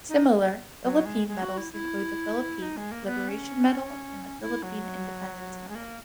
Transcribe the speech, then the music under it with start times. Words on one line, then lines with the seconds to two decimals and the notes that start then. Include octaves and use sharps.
Similar Philippine medals include the Philippine Liberation Medal and the Philippine Independence Medal.
0.09 D#4
0.83 F#3
1.05 G#3
1.28 G#3
1.42 F#4
1.58 E4
1.72 E4
2.62 D#4
2.77 G#3
2.92 A#3
3.06 B3
3.29 C#4
4.41 E4
4.63 F#3
5.69 G#3
5.75 A#3